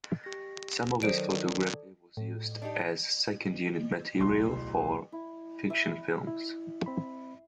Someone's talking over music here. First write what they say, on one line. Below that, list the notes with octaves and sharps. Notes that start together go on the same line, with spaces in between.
Some of his photography was used as second unit material for fiction films.
G4 A#6
D#3 F#3 A4 C5 D5 D7
A2
D4 D#4 G4
D1 B1 C6
E4
E5
E4
C4 B5